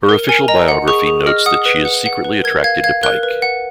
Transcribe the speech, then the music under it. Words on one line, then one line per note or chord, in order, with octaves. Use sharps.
Her official biography notes that she is secretly attracted to Pike.
A#4
A#4 G#5
D#5 A#5
F#5
G#4 C#6
G#4
D#5 F6
F#5 D#6
B4
F#5
F#5
B4
A#4 G#6
F5 G#6
F5 G#6
A#4 F#6
B4
F#5